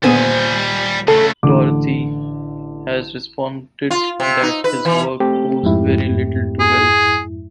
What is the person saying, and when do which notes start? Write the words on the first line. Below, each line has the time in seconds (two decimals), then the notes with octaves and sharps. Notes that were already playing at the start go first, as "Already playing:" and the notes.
Doherty has responded that his work owes very little to Wells.
0.04 D#2 A#2 D3 G3 B3 G#4 C5 G#5
1.08 C#3 A3 A4
1.43 A1 D3 D6
3.90 F4
4.20 C3
4.42 D#4
4.64 B4
4.85 E3
5.20 A3 C4 G4
5.63 F2 G#2 E4
6.60 G#4